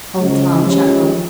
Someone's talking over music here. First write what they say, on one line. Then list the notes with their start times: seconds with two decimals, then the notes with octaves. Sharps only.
Old Tom chuckled.
0.20 C#3 F3 G#3
0.65 F3 G#3 C#4 G4